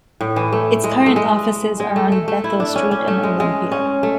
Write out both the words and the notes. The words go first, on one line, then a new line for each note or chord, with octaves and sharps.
Its current offices are on Bethel Street in Olympia.
A2
E3
A3
G#3
A3
G#3
G#3
A3
A3
A3
E4
D4
C#4
C#4
A3
G#3
G#3
C#4
A3